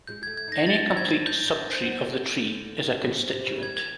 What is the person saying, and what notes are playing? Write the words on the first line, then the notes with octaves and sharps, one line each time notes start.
Any complete sub-tree of the tree is a constituent.
G#3 G6
A3 G#6
G#6
D#4 A#6
D4 A6
B3
C4
C#4 G#6
D4
D#4 G6
D4
B3
C4
B3
A3
E3
D3
D3
D#3
D3
C3
C3
C#3
D#3 G#6
G#6